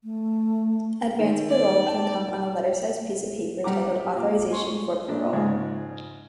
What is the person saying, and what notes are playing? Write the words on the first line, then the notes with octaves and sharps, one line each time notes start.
Advance parole can come on a letter-sized piece of paper titled "Authorization for Parole".
A3
D#3 D#4 A#4 C#5
D5
G5 A5
G3 F#5 A#5 D6
A#2 F5 D6
G#5 C6 C#6
A#2 F3 D4
G#2 C#3 F3 G#3